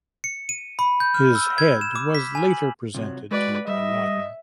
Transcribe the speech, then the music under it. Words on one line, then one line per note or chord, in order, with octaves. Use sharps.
His head was later presented to Alauddin.
C#7
D#7
B5
G6
F6
E6
G#6
E7
D6
B6
G#5
F#7
C3 F3 F#3
G#3 F#4 B4 D5
G3 D#5 E5